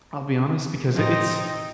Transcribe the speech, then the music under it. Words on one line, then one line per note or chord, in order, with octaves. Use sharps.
I'll be honest because i it's
A2 F3 C4 D#4